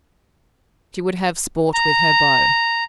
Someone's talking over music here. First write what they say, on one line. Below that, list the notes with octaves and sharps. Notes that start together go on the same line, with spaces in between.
She would have sport with her bow.
A#5